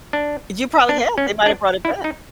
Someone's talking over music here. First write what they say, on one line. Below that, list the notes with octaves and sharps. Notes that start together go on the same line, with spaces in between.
You probably have. They might have brought it back.
D4
D4
C#4
D4
E4
D#4